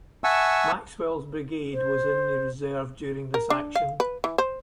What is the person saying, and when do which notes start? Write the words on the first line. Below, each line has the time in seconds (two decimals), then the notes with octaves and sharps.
Maxwell's Brigade was in the reserve during this action.
0.24 E5 F#5 G#5 A5 C#6 E6
1.74 C5
3.34 A#4
3.50 D4
3.75 F5
4.00 B4
4.24 E3
4.38 C5